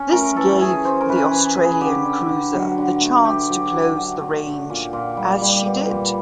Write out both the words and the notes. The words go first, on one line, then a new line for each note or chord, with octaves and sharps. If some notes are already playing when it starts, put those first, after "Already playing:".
This gave the Australian cruiser the chance to close the range, as she did.
Already playing: C#4
A3 A#4
E3 A4
C#4 G#4
C#4 C5
A#4
E3 B4
E3 B4
C#3 G#4
D3 G4
D3
D3
F#3
D3
A3
A3 G4
F#3
F#3
F#3
A3
D3
A#2
A#2
G3
G3
B3
A#2